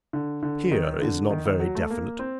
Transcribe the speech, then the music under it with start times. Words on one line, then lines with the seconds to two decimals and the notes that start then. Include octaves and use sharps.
'Here' is not very definite.
0.13 D3
0.43 D3
0.71 D#3
1.02 D3
1.31 D#3
1.45 D#3
1.60 F#3
1.75 A3
1.91 A#3
2.19 C4